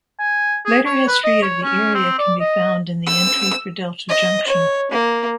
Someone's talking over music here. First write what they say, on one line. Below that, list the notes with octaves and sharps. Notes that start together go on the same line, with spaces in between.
Later history of the area can be found in the entry for Delta Junction.
G#5
G#4
C#5
B4
D#5
C#5
C#4
C4
D5
D#5
E6
D#5
C#5
A#3